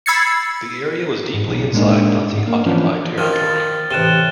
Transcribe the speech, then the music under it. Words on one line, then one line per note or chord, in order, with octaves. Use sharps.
The area was deeply inside Nazi-occupied territory.
B5 E6 G#6 A6 C7 C#7
G#2
B1
A2 G#3 A#3 D4 D#4
G#2
A#3
E3 F3 B3 C#4 D4
D#3 F3 F6
A6
A1 C3 F#6 E7 G7